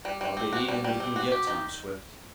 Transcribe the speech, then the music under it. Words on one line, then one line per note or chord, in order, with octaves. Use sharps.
"I'll get even with you yet, Tom Swift!"
G3
G3
C4
F#4
G3
G3
C4
F#4
G4
D#3